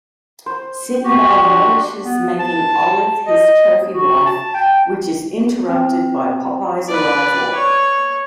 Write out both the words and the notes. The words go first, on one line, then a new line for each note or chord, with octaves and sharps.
Sinbad relishes making Olive his trophy wife, which is interrupted by Popeye's arrival.
C5
F#4 G4
D4
B3
A5
D#5
F#4
A5
G5
C4
B4 D5
C#5